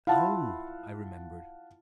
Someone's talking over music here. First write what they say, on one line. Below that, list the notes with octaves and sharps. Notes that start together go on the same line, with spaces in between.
"Oh!" I remembered.
E4 F4 F5 F#5 A5